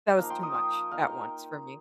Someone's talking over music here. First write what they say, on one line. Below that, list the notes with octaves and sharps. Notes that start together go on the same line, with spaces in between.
That was too much at once for me.
F3 A#3 D#4 F5 A#5
G5 C6
A#5 D#6
G5 C6
A#3 D#4 F5 A#5